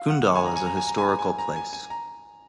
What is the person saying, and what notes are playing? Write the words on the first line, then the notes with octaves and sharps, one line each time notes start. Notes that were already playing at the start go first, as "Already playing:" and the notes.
Kundal is a historical place.
Already playing: F5
F#5
G#5
A#5
G#5
A#5
G#5
A#5
G#5
A#5
G#5
A#5
G#5
G#5
A#5